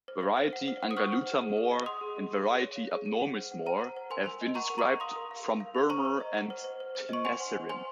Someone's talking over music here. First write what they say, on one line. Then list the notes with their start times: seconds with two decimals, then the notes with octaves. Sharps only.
Variety "angulata" Moore, and variety "abnormis" Moore, have been described from Burma and Tenasserim.
0.08 C5
0.23 F5
0.37 C5
0.53 F#5
0.68 C5
0.83 F#5
0.91 D#6
0.97 C5 C#6 F6
1.12 F#5
1.26 C5
1.41 G#4
1.57 G#4
1.71 D#5
1.86 F#5 C6 D#6
2.01 G#4
2.16 G#4
2.31 G#4
2.46 G#4
2.61 C#5
2.76 F5
2.91 G#4
3.06 G#4
3.21 F#5
3.36 C5
3.52 F#5
3.66 C5 A#5
3.81 F#5
3.97 C5
4.10 A#4 G#5 C6
4.26 A#4
4.41 D#5
4.55 F#5 A#5 C#6
4.70 A#4
4.78 A#5 C#6
4.85 A#4
5.00 F5 C6 D#6
5.16 A#4
5.31 F5
5.46 A#4
5.60 F5
5.75 A#4
5.90 C5 A#5 C#6
6.05 C5
6.20 D#5
6.34 F#5
6.50 C5
6.64 C5
6.80 C5
6.95 C5
7.09 D#5 C#6
7.25 F#5 G#5 C6
7.40 C5
7.54 C5
7.69 C5 G#5 C6